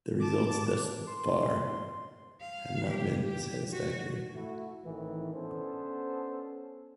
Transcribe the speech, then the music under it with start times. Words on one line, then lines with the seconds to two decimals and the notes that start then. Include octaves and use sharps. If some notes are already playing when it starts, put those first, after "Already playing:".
The results thus far have not been satisfactory.
0.20 A5 D6
1.07 C6
2.41 F5
2.88 G4
3.22 G4
3.72 F#4
4.34 A3 E4 F#4
4.84 G#1 A2 D#3 E3
5.34 B3 C#4 D4 A4 C5